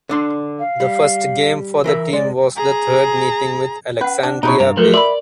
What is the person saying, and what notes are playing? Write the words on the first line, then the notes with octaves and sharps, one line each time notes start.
The first game for the team was the third meeting with Alexandria Bay.
D3 D4 C6
F5
G3
E3 A#4 E5
G#3 D5
G#4 A#5
C#4 B4 F#5
D4
B2 D#4 E4 C#5
G2 A#3
F3 F#3 A3 A#4 B4
D5 E5 B5 C6